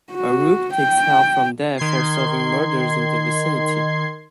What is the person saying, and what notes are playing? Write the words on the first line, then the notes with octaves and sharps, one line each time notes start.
Arup takes help from Dev for solving murders in the vicinity.
F#4
G5
D#3 C6 G#6 C7